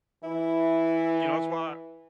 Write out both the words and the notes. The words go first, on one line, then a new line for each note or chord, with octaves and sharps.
You know, that's why
E3 E4